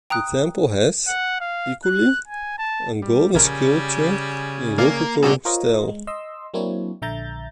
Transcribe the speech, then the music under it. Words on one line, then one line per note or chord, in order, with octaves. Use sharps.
The temple has, equally, a golden sculpture in rococo style.
G5 A#5 D#6 F#6
F#5
F5
F#6
G#5
A5
G3
A#1 C#3 G3 A#4 G#5
A#3 A#4 D5 F5
B2 G3 A#3 D4 F#4 G#4 A4 D5
F4 A#4 C5 C#5 D#5
G#3
D#5 C6 E6
F#3 A#3 C4 D4 E4 C#5
A#1 D3 E5 A#5 G6 A6